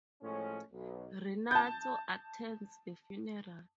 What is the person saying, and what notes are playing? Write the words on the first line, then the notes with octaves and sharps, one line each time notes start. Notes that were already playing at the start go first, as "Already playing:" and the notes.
Renato attends the funeral.
A2 F3 G#3 C#4
B1
A5 G6